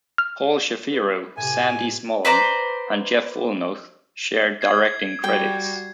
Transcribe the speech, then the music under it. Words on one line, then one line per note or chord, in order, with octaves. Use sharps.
Paul Shapiro, Sandy Smolan, and Jeff Woolnough shared directing credits.
F6
B4
A2 C3 G#5
B4 C5 D5 A#5
G#6 C7
G3 F#4 G5